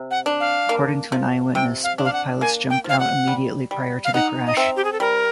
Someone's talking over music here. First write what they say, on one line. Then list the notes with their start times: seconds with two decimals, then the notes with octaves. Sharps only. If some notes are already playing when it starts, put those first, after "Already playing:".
According to an eyewitness, both pilots jumped out immediately prior to the crash.
Already playing: C3
0.11 F#5
0.26 D4
0.40 F5
0.69 A#3
1.12 F3
1.55 C3 G5
1.84 F5
1.98 D4
2.05 F5
2.13 F#5
2.41 A#3 G#5
2.70 G5
2.84 F3 F5
2.99 F#5
3.28 G3
3.71 G3
4.05 F5
4.14 D#4 F#5
4.47 D#5
4.57 C4 E5
4.76 G4
4.85 G#4
4.93 A4
5.00 G3 A#4